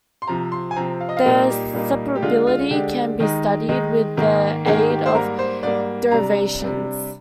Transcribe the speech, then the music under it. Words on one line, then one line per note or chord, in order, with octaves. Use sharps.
The separability can be studied with the aid of derivations.
C6
C3 F3 C4 A#5
C6
G#5
C3 F3 C4 A#5
F5
D#5
F5
A#2 G3 A#3 D#4 A#4
G4
A#2 G3 A#3 D#4
G4
D3 G#3 D4 F4
F4
D3 G#3 D4 G4
D#3 G#3 D#4
D#3 G#3 D#4
G#2 D#3 A#3
G#2 D#3 A#3 G#4
G4
C5
G#2 G3 A#3 A#4
C5
G#2 G3 A#3 D5
C3 G3 D4 A#5
C3 G3 D4